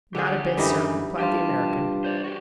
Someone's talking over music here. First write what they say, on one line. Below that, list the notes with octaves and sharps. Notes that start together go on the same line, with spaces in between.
"Not a bit, sir," replied the American.
D3 G4 G#4 F#5 G#5
F#2 D3 E3 G3 D#4
G2 F4 G4 G5 A5
C5 D5
F#4 G4